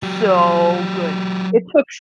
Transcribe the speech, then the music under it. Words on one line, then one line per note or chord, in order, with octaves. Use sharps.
so good. It took
F#3 G4